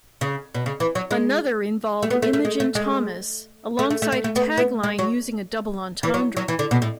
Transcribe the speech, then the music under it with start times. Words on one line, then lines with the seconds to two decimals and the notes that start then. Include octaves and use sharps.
Another involved Imogen Thomas alongside a tagline using a double entendre.
0.21 C#3
0.55 B2
0.66 C#3
0.80 E3
0.95 F#3
1.11 G#3
2.03 A3
2.10 B3
2.22 A3
2.33 A3
2.45 G#3
2.60 A3
2.75 G#3
3.79 A3
3.90 A3
4.02 A3
4.12 A3
4.24 A3
4.36 B3
4.57 B3
4.83 G#3
4.99 F#3
6.03 E3
6.14 F#3
6.37 F#3
6.48 E3
6.59 D3
6.71 B2
6.82 A2